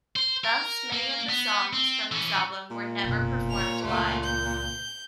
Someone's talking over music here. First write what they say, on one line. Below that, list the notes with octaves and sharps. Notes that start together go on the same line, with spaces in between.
Thus, many of the songs from this album were never performed live.
C5
A#4
A#3
B3
C4
E3 C#4
A#2
F#1 B2
C#5 F7
C#2 A3 F4
G6